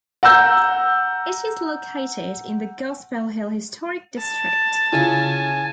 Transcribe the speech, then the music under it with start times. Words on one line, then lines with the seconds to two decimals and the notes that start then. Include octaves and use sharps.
It is located in the Gospel Hill Historic District.
0.23 F#5 A#5 E6 G6
4.19 A5
4.93 C#3 E4 F4 G#5